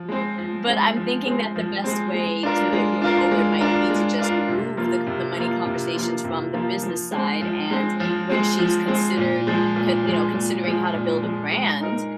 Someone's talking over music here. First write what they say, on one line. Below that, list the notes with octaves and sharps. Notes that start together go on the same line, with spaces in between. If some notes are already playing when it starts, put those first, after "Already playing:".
but I'm thinking that the best way to move forward might be to just remove the c the money conversations from the business side and when she's considered c you know, considering how to build a brand,
Already playing: F3
G#3 C4
F3
G#3 C4
F3
G#3 C4
F3
G#3 C4
G#3
D4 F4 A#4
G#3
D4 F4 A#4
G#3
D4 F4 A#4
G#3
D4 F4 A#4
C3
F3 A#3 F4
C3
F3 A#3 F4
C3
F3 A#3 F4
C3
F3 A#3 F4
F3
G#3 C4
F3
G#3 C4
F3
G#3 C4
F3
G#3 C4
A#2
F3 G#3
A#2
F3 G#3
A#2
F3 G#3
A#2
F3 G#3
G#3
D#4 A#4